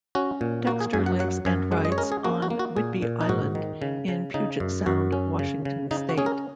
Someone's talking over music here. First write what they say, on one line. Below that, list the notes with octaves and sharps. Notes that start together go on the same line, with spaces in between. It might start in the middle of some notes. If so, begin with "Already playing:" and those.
Dexter lives and writes on Whidbey Island in Puget Sound, Washington state.
C#4 F#4
A#2
A#3 F#4
G#4
F#2 G#5
F#5
F#3 F#5
F#2 G#5
G#3 F#5
D#5
C#5
C#4 A#4
G#4
A#3 F#4
F#4
A#3
F#4
A#2 G#4
A#2
D#4
G#2 F#4
D#3
C#3
C#3
C#3 D#4
F#2
F#2 F#4
C#4
C#3
C#3
C#3 D#4
F#4
C#4 G#4
A#4